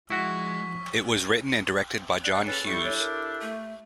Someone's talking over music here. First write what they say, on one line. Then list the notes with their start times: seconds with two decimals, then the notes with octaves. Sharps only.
It was written and directed by John Hughes.
0.10 F3 G#3 E4 F#4 C#6 B6
2.23 D5 F#5
2.47 C#4 G#4 A4 B4
2.66 G3 E4 G4 A4 C#6
2.84 D4 C#5
2.99 A#4
3.41 A3